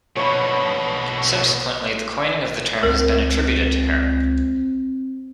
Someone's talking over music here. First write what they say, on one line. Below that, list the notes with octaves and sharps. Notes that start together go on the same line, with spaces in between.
Subsequently, the coining of the term has been attributed to her.
B2 D3 C#5 B5
C#2 C4 A#4